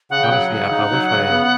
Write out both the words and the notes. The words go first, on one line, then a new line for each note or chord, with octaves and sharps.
Honestly, I I wish I
C#3 F#5
G5
F#3 F#5
C#3 F#5
D#4
F#3
C#3
B3